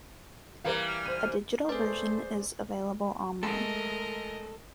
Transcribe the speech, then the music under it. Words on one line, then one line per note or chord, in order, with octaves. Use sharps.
A digital version is available online.
E3 G3 A#3 A#4 F5
F6
C5 D#7
A3 G#4 B4 C5 D5
G#3 A3 A4 A#4 D#5